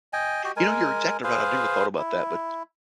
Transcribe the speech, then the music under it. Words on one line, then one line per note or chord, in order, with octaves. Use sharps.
You know, you're exactly right, I've never thought about that, but
D#5 G5 G#5
F#4 G4 D#5 G5
G#3 A#4 G#5
G#4 B4 C5 F5
E4